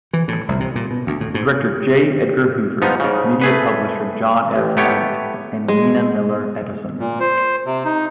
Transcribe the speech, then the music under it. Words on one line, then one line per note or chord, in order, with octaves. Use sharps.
Director J. Edgar Hoover, media publisher John S. Knight, and Mina Miller Edison.
E3
A2
C2
C3
A#2
B2
D2
A2
G#2
G4
F3 B3 D#4
G#2 C#3
A3 G#4 B4
A1
A3 B3 G4 C#5
G#3
A#2
C5
C3
D#4